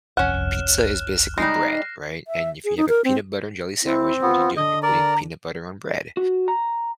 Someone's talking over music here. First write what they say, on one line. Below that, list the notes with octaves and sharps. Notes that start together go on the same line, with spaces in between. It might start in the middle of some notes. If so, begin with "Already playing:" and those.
pizza is basically bread, right? And if you have a peanut butter and jelly sandwich, what are you doing? You're putting peanut butter on bread,
G1 C2 F2 C#4 F#5 F6 F#6 E7
G3 G#3 D#4 A#6 C7
E5
G#4
D#4
A#4
C4
C4 E4
B3 F4
D3 D#5
A#4 D5 A#5
F#4
A#5